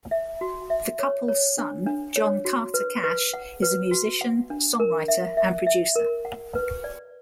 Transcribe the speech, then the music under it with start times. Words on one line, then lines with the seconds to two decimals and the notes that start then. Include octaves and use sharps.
The couple's son, John Carter Cash, is a musician, songwriter, and producer.
0.11 E5
0.41 F#4
0.70 E5
0.99 C#5
1.28 C#5
1.58 D4
1.87 D4
2.16 C#5
2.45 F#4
2.74 B4
3.04 B4
3.34 F#5
3.63 B4
3.91 F#4
4.21 F#5
4.50 D4
4.80 A#4
5.08 E5
5.37 E5
5.67 E5
5.96 A#4
6.25 F#5
6.55 B4
6.84 D5